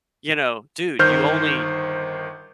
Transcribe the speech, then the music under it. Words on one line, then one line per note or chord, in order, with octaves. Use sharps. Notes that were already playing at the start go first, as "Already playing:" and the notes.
you know, "Dude, you only
G1 D#3 C5 F6 G6